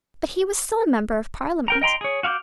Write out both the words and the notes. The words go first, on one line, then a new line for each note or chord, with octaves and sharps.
But he was still a Member of Parliament.
A#4 G5 A#5
D#5 G5 A#5 C6
G#4 C#5
F#4 F5 C#6 D6 G6